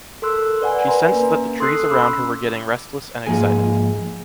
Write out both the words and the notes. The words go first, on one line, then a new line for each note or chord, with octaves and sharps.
She sensed that the trees around her were getting restless and excited.
A4 A#4 C6 E6 F#6
B4 D5 F#5 G#5
A#4 B4 G#5 A#5 C6
A#3 C#4
A4 C6 D#6 E6 F#6 C7
C#4 B5 D6 E6
G#2 F3 A#3 G#4 G#5